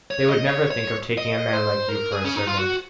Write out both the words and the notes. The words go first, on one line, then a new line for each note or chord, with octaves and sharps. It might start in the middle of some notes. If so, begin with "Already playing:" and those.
They would never think of taking a man like you for a servant.
C#5
D#5
C#5
C#5
D#5
C5
A#4
G#4
C#4
D#4
F4
F#4